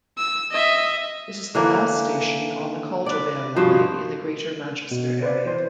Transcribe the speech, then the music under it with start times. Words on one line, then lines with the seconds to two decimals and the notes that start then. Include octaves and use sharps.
This is the last station on the Caldervale Line in the Greater Manchester area.
0.18 E6
0.51 D#5 E5
1.55 D3 E3 A#3
3.06 B4 D5
3.56 G2 B2 F3 C5
4.91 B2
5.23 B4 C5 D5
5.46 E3 C5